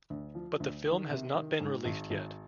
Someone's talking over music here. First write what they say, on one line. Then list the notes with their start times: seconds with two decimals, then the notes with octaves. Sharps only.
But the film has not been released yet.
0.10 D2
0.35 F3
0.60 D2
0.86 D#3
1.10 C3
1.35 D#3
1.60 G#2
1.85 G#1
2.10 G#1